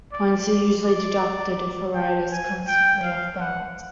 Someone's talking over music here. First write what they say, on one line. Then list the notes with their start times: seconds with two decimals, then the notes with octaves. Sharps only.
Points are usually deducted if a rider is constantly off balance.
0.13 D5
0.85 D5
1.94 G5
2.31 G#5
2.67 G5
3.03 F5
3.40 F#5